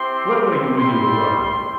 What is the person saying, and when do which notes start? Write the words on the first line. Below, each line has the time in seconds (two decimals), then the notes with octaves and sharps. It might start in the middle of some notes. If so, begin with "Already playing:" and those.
"Where were you when you were robbed of it?"
Already playing: C4 E4 G4 C6
0.32 C6
0.77 G3 E4 G4 C6